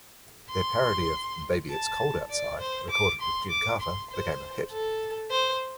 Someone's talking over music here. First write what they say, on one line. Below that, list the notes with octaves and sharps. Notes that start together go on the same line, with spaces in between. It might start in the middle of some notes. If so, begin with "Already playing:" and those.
Their parody of "Baby It's Cold Outside", recorded with June Carter, became a hit.
C6
A5
D5
C5
D6
C6
D6
C6
C5
A4
C5